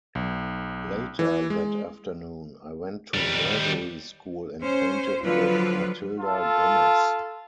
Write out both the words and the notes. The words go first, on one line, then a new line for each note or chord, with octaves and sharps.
Later that afternoon, I went to nursery school and painted with Matilda Gomez.
B1
E3
G#3
D#2 G3
C#4 C5
D3 F3 F#3 F4 B4
F4 A4